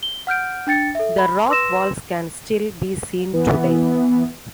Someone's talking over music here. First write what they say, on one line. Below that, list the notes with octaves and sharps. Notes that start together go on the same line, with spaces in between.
The rock walls can still be seen today.
G7
F#5 F6 G6 D7
D4 G5 A6 C#7
A4 E5
B5
B4 C6 E6 A#6 E7
E3 B3